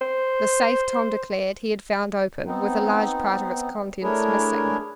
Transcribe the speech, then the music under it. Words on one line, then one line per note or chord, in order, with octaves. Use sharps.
The safe, Tom declared, he had found open, with a large part of its contents missing.
C5
B3 C4 D#4
A3 D4 E4 G#4 A#4 C#5